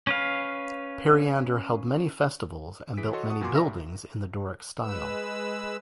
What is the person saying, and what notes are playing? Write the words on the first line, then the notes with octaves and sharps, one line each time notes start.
Periander held many festivals and built many buildings in the Doric style.
C#4 B4 F5
E3 G#4 B6 D7
F#4 A4 C#5 D#5 C6
F#5 A5 C#6 D#6
E2 A#2 F#4 G#5 C6 D6
C2 B4 D5 E5 A#5 A#6
G2
G#3 B4 E6